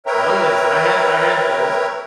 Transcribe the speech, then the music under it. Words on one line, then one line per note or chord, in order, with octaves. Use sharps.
Oh, yes, I had I had those.
A#4 B4 C#5 E5 G5 A#5